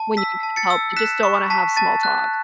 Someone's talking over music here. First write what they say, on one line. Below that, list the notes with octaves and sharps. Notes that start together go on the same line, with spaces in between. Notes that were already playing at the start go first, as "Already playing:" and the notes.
when you need help, they just don't wanna have small talk.
Already playing: A5
E6 B6
A5
A6 C#7
E6
F#6 B6 E7
C#6
A5 B6
A5 A6
F#6